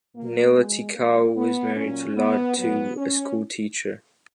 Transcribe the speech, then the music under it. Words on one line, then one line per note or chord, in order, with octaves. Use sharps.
Nailatikau is married to Latu, a schoolteacher.
A#2 F#3 A#3
G#3
A#2 F3 G#3 A#3
B3
A#2 F#3 C#4
B3
A#2 F#3 B3
C#4